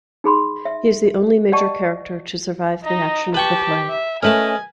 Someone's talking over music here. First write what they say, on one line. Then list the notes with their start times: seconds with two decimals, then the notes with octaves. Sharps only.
He is the only major character to survive the action of the play.
0.24 D#4 G#4 B5 C6
0.65 E5
1.52 D5 D#5 F#5 G5 A5 C#6
2.84 D#4 D#5
3.34 G4 B4 G5 A5 C#6
3.89 E5
4.23 A3 C#4 A#4 B4 D#5 G#5 A5